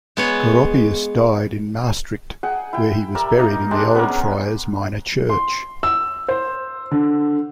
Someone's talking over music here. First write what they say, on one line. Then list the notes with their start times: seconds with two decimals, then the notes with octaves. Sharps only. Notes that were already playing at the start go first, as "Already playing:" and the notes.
Goropius died in Maastricht, where he was buried in the old friars minor church.
0.17 G#3 B3 C#5
2.43 G#4 F#5 G5
2.73 E4 G5
3.15 G3 A#4 D5 E6
3.38 A#3 D#4 D#5
3.71 G#3 D4 G4 D5
3.95 B3 C#4 G#4 A#4
5.29 C6
5.83 E6
6.28 C5
6.91 D3